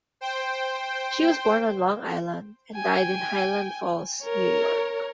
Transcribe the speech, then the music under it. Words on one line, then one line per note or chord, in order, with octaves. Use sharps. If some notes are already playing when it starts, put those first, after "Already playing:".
She was born on Long Island and died in Highland Falls, New York.
C5 G5
G5 G#5
A#4 C#5